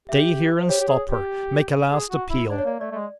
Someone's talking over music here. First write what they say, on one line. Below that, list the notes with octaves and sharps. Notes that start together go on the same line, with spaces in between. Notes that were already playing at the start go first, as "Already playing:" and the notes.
'Stay here and stop her!--make a last appeal!
G4 E5
C5
G4 C#5
G4
G#4
G4
G#4
F#4
E4
D4 D5
C#5
A#3 D5
A3 D5
A3
G#3